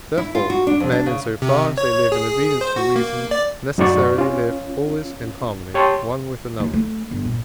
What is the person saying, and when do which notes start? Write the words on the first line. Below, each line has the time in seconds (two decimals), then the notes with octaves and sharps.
Therefore, men in so far as they live in obedience to reason, necessarily live always in harmony one with another.
0.18 E4
0.35 F4
0.50 F#4
0.67 D4
0.80 F2
0.92 D4
1.06 C#3
1.42 C3
1.78 C#5
2.12 G#4
2.61 C5
2.76 F#4
2.96 A#3
3.31 D5
3.78 F#2 A2 D#4 F#4 D5 C#6
4.18 C#4 F4
5.74 G4 C#5 G5 A5 C6
6.60 D#2
6.73 A3
7.11 G1
7.25 A#2